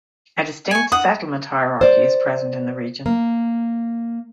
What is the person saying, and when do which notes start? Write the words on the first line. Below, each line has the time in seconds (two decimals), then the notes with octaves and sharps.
A distinct settlement hierarchy is present in the region.
0.71 G#5 C#6
0.92 F#5 D#6
1.81 C5 D5
3.06 A#3